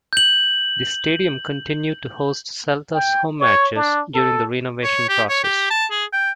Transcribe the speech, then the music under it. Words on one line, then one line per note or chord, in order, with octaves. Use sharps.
The stadium continued to host Celta's home matches during the renovation process.
G6 F#7
G5
C#5
D4
A4
C#5
G4
C#5
G4
A5
G#4
G5